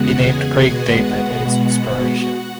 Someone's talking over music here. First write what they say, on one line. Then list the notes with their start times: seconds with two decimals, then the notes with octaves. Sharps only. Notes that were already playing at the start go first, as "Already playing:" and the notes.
He named Craig David as inspiration.
Already playing: E2 C#3 G#3 B3 F#4 F#5
0.23 G#4 G#5
0.66 B2 G#3 B3 F#4 F#5